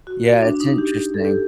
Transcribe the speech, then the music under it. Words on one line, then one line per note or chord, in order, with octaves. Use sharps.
Yeah, it's interesting.
F#4
F#4
D4
D#4
G4
A4
G4